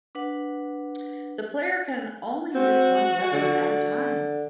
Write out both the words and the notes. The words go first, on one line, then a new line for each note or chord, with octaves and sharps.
The player can only use one weapon at a time.
D4 B4 F#5
C4 F#4
D3